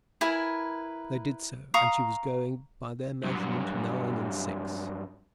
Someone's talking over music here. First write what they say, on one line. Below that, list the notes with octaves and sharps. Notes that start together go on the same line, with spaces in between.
They did so; and she was going, by their measurement, nine and six.
E4 A#4 B4 G#5
F5 A#5 C#6 D#6
G2 F#3